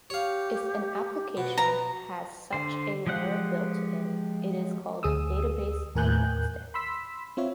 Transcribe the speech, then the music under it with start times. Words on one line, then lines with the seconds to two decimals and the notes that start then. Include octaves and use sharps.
If an application has such a layer built in, it is called database-agnostic.
0.10 G4 C#5 F5
1.37 B2 F#5
1.58 B4 A#5
2.53 D3 C5
3.06 F3 G#3 G4 F#5 F#6
5.03 D2 G#4 D#6 E6
5.95 D#2 A2 A#4 G#5 F#6 G6
6.74 B5 C6 E6 B6
7.37 C4 F4 C#5 E5